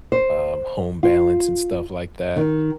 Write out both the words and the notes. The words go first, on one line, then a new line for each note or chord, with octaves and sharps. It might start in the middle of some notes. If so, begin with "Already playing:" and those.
um, home balance, and stuff like that.
C5
F4
D#3